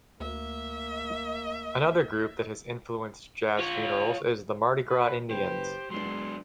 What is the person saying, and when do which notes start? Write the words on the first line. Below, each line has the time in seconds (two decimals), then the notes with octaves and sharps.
Another group that has influenced jazz funerals is the Mardi Gras Indians.
0.20 D2 A#3 E5
3.59 F4 C#5
4.89 B4
5.30 F#1 G4 B4 C5
5.90 F#3 G#3 B3 D4 C6